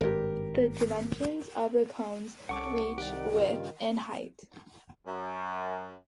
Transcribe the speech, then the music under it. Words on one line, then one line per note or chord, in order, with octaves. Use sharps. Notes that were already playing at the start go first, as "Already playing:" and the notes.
The dimensions of the cones reach width and height.
G#1 G2 G4 A#4
C2 C#4 A4 F#5 C#6 D6
D#3 G4 D5 F#5
G2 C#3 F4
F#2